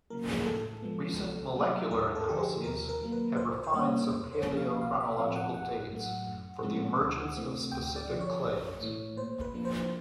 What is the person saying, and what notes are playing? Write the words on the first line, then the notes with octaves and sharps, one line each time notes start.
Recent molecular analyses have refined some paleo-chronological dates for the emergence of specific clades.
C#3 F#3 A#3 A#4
G#4
A2 A4
F3 G#3 B3
C2
A#2 F#3 A3
D#2 A#4
A4
D3 F3 G4
G#4
D#2 A#4
A#4
D#3 F#3 A#3
B4
C2 C5
C5
A#2 G3 A#3 C#4 C#5
E2 C5
C#5
C#3 F3 A#3 C#4
F5
B1 F5
E5
E5
A2 F3 A3 C4 F5
F#5
A#1 F#5
A2 F#3 A3
F#2
C#3 F3 G#3 C4
D2
C3 E3 A3 C4
D2 G5
D5
D3 F3
C#5
B1
A2 E3 A3
A#2 C5
B4
F3 A#3 D4
C5